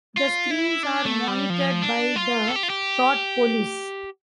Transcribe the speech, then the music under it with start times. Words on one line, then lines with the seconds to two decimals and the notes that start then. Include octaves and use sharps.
The screens are monitored by the Thought Police.
0.17 F4
0.51 E4
0.83 D4
1.05 A3
1.28 G3
1.50 F3
1.83 D4
2.16 F4
2.48 A4
2.56 G4
2.63 F4
2.70 G4